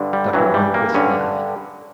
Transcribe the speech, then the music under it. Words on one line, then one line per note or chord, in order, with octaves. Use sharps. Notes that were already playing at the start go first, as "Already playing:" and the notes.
Dr. Arnquist laughed.
Already playing: G2 D3
G3
G2 E3 F#3
G3
A#3
G2 D3 C#4